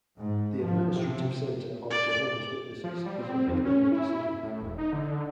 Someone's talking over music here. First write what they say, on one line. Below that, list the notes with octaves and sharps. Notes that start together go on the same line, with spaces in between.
The Administrative Center of Jehovah's Witnesses is appealing the decision.
G#2
F3
C3
D5
F3
G3
C4
C4
F2
C#4
E4
A2
E1
D#4
D3